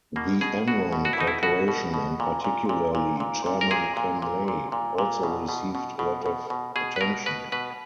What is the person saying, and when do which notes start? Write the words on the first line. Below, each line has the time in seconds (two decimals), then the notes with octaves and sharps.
The Enron Corporation, and particularly Chairman Ken Lay, also received a lot of attention.
0.16 B2 A#3
0.41 B2 G#4
0.68 B2 F#4
0.92 B2
1.05 F#4
1.13 E4
1.18 B2 D#4
1.27 E4
1.43 B2 F#4
1.68 B2
1.94 B2
2.20 A#2
2.44 A#2
2.69 A#2
2.95 A#2
3.20 A#2
3.46 A#2
3.61 A#4
3.71 A#2 G#4
3.97 A#2
4.22 A#2
4.48 A#2
4.72 A#2
4.98 A#2
5.23 B2
5.49 B2
5.75 B2
5.99 B2
6.26 B2
6.50 B2
6.76 B2 G#4
6.96 B4
7.01 B2 A#4
7.26 B2 B4
7.52 B2 B4